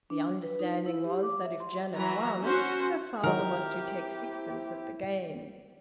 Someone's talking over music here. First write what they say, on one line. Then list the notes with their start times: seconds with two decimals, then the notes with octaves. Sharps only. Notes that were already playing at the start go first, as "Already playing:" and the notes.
The understanding was that if Janet won, her father was to take sixpence of the gain.
0.10 D4
0.42 B4
0.60 D#4
0.86 E4
1.05 G4
1.23 D6
1.45 E5
1.60 C6
1.95 E3 F#3 A#5
2.42 C#4 F#4 C5
3.23 D#3 F#3 C4 E4 G4 A#4